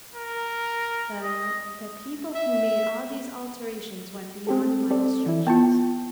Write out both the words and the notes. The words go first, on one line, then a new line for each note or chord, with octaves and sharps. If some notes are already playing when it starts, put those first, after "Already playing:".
The--the people who made all these alterations went beyond my instructions.
A#4
D#5
E5
C4 G4 A4
C4 A4 D5
E3 E4
B3 F4 G5 A5